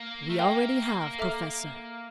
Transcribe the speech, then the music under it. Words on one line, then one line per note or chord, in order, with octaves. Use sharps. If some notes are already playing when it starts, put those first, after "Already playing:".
"We already have, professor."
Already playing: A#3
A3
A#3 A#4 E5 G5
A4 E5 A#5 D6 F6